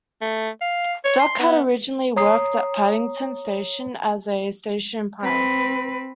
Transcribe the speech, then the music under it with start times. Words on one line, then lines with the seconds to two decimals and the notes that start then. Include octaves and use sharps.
Duck had originally worked at Paddington station as a Station pilot.
0.22 A3
0.61 F5
1.05 C#5
1.19 C6
1.39 B3
2.16 C#5 A#5 D#6 C7
5.21 C4 B4